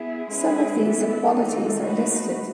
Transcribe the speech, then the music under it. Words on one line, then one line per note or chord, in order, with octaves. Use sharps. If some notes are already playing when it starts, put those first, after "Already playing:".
Some of these equalities are listed.
Already playing: B3 E4 G#4
G#3 C#4 E4 G#4 B4
E3 B3 E4 A4
E3 G#3 D#4 A4
A3 D#4 F#4 B4